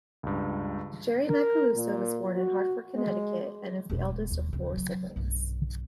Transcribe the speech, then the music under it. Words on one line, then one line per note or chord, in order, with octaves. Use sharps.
Jerry Macaluso was born in Hartford, Connecticut and is the eldest of four siblings.
C#2 G2
A#4
A#2
F#4
G#3
E1 B2
D#2
E2 C#3
F#3
B1 G2